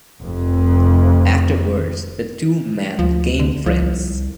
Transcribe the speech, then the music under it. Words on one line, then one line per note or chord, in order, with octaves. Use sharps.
Afterwards, the two men became friends.
F1 F2
D2 F3
D3
C#2 F3
C2